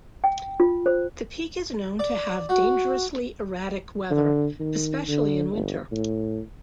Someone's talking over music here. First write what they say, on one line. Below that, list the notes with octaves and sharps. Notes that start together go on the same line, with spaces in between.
The peak is known to have dangerously erratic weather, especially in winter.
G5
F4
C5
D5
F#4
D3
D#3
D3
G1
A2